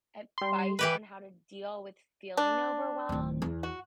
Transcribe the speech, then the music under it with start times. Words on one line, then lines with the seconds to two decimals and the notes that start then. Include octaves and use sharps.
advice on how to deal with feeling overwhelmed
0.38 G3 C6
0.79 E3 G4 B4
2.37 D4
3.09 D1 D#3
3.42 E2
3.63 F#4